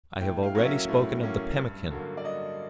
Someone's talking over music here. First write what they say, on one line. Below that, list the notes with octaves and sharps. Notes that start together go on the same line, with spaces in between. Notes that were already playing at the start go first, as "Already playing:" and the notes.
I have already spoken of the pemmican.
A2 G5
F5
F#3 A#3 C#4
E5
A2
F#3 A#3 C#4
G2
D3 F#3 A#3
D5
G2 D#5